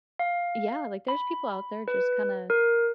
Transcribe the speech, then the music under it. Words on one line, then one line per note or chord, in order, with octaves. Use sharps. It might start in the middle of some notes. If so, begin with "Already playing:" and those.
Yeah, like, "There's people out there just kinda
F5
B5
B4
A#4